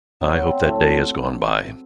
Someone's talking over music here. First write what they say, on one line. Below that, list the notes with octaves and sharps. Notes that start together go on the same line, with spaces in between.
I hope that day has gone by.
F#3 B3
F#3 C4
A2 A3